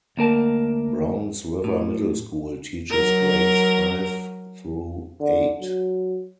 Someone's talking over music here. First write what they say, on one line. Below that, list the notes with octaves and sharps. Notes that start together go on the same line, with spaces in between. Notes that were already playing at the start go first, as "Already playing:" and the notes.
Browns River Middle School teaches grades five through eight.
D2 A#3 A#4 A5
A2
F#3 A#4
D3
F#3